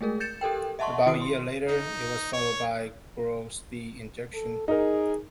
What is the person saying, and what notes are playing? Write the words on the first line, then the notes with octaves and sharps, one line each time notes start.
About a year later, it was followed by "Grow-Speed Injection".
G#3 A3 G#4 A#4
G6 A6 C#7 E7
G4 A4 A#4 G5
D#5 E5 F#5 A5 C6 C#6
D#3 E4 F#4 D#6 D7
C6
D#4
C#5
A4
D#4 G#4 A#4